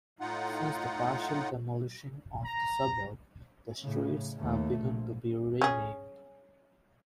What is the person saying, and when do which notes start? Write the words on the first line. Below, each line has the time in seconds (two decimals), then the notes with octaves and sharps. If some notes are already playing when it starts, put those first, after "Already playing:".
Since the partial demolishing of the suburb, the streets have begun to be renamed.
0.21 A2 D#4 F4 F#5
2.44 A#5
3.80 A2 C#3
4.39 D#2 A3
4.80 A#1
5.61 C#4 G#4